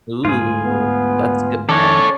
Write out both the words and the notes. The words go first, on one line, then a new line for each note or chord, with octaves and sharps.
Ooh, that's good one.
D2 G#2 F4 G#4
B3
F2 D#3 C#4 A4 C#5 D5